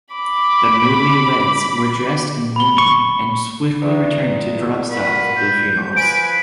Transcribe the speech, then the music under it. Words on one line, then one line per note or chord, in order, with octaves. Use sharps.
The newlyweds were dressed in mourning and swiftly returned to Darmstadt for the funerals.
B5 D6
B5 G7
C#6
E2 G#3
A#2 F#4 A#4 B4
G6
F3 B4 G#5 D7